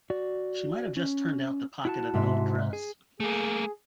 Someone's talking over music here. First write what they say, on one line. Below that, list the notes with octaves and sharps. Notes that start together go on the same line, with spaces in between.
She might have just turned out the pocket of an old dress.
F#4 D5
C#4
E4 F#4 A5
G#2 C3 E5
G#4
A3 A#3 G#4